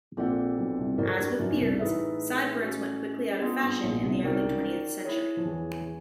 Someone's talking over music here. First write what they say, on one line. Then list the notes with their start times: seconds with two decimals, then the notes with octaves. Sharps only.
As with beards, sideburns went quickly out of fashion in the early twentieth century.
0.17 A#1 A#2 C4 F4 A4 D5 F#5
0.58 B1 B2
0.78 C2 C3
0.98 F2 F3 F#4 A#4 D5
1.18 G2 G3
1.39 F#2 F#3
1.54 B2
1.59 C2 C3
1.79 A1 A2 D#4 G#4 B4 E5
2.61 C#4 F#4 A4
3.42 B3 D4 F4 G#4
3.62 G2
3.83 A#1 A#2
4.03 C2 C3
4.23 C2 C3 D#4 F#4 A#4 D5 G5
4.44 C#2 C#3
5.05 E4 G#4 C#5
5.37 F3
5.45 E2 E3